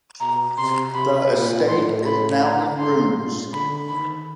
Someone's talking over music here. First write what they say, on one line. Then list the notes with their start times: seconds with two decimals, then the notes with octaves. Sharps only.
The estate is now in ruins.
0.21 B2 A#5
0.58 C3 C6
0.95 C3 B5
1.32 A#2
1.68 A2 C6
2.05 B5
2.43 A#5
2.79 G#2 C6
3.16 A#2
3.52 D3 B5
3.89 D#3 B5